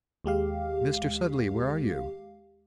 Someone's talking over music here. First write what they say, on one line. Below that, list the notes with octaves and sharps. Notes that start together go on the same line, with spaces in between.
"Mr. Sudley, where are you?"
D#2 G#3 G4 F5